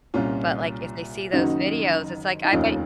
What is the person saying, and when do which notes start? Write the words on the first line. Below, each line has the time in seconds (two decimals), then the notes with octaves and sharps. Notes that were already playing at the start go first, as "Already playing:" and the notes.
But, like, if they see those videos it's like I bet
0.14 C2 A#2 C#4 F4
1.33 F#1 F#2 D#3 D#4 F#4
2.44 D#4
2.52 F1 D#2 D#3 C#4 F4